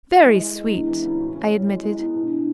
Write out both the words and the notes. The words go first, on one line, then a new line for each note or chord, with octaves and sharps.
'Very sweet,' I admitted.
G#3 E4
G#3
G#3
E4
E2 D4
E3 E4
C#3 E4
A2 F#4
C#4
A2
G#3 F#4
G#3 E4
B3 E4
B2 E4
D4
D4